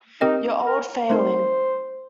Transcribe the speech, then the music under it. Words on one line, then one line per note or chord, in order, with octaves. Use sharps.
Your old failing.
C4 D#4 G4 A#4 D#5 G5
A#4
A3 C4 D#4 A#4 C5